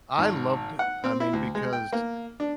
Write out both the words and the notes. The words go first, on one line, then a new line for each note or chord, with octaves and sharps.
I loved it, I mean, because
G#1
F#5
C4
E4
D2
G#3
G5
A#3
D4